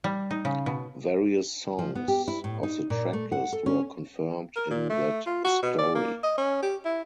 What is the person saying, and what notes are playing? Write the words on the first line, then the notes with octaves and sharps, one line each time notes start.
Various songs of the tracklist were confirmed in that story.
G3
D#4
C#3
B2
F3
B3
G4
E4
A2
D#4
A#2
A3
F#5
A4
C#4
A#4
A#2
A3
F4
F#4
B2
D5
A#3
D#5
C#4
G4
E4